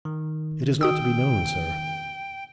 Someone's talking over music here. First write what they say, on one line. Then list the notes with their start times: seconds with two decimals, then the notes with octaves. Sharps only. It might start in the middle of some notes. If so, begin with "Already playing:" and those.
'It is not to be known, sir.
0.05 D#3
0.81 F#4 G5 D#6 E6